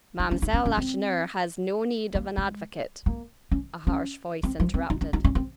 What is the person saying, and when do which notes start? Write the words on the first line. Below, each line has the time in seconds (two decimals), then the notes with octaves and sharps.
"Mademoiselle Lacheneur has no need of an advocate!" a harsh voice interrupted.
0.20 D#4
0.31 C#4
0.42 D#4
0.53 C#4
0.65 C#4
0.77 C4
2.15 A#3
2.37 G#3
3.06 A#3
3.51 C#4
3.87 C#4
4.43 C4
4.60 F3
4.74 C4
4.90 D#4
5.01 C#4
5.13 D#4
5.24 C#4
5.35 C4